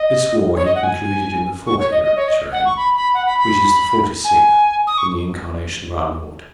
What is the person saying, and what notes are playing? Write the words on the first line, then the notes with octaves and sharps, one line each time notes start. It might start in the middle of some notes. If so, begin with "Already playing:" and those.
This war he concluded in the fourth year of his reign, which is the forty-sixth from the Incarnation of our Lord.
Already playing: D#5
C#5
D#5
F#5
G#5
C#6
C#5
D#5
D#5
C#5
D#5
F#5
C#6
B5
B5
F#5
B5
B5
G#5
D#6
C#6